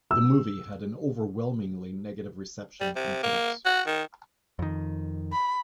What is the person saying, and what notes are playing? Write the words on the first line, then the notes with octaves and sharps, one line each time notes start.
The movie had an overwhelmingly negative reception from critics.
E6
G3
C3
A#3
F#4
D#3
F2 D#3
B5